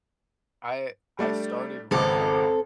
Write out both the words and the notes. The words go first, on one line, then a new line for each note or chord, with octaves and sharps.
I I started running,
G3 A3 D4
G#1 C#2 C4 A4 D6